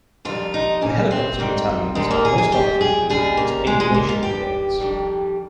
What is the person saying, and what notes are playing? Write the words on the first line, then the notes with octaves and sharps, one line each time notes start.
The helicopter battalions are most often grouped into aviation brigades.
F2 D#3 G3 F4
D#4
A#2 G3 C#4
C4
G#2 D#3 G3
D#2 D#3 G3 G#3
A#3
G#4
G#4
G#2 G3 G4
G#4
D#2 C#3 G3 G#4
A#3
G#2 D#3 G3 G#3
G#3
A#3
F4
G2 G3 G4
F2 D#3 G3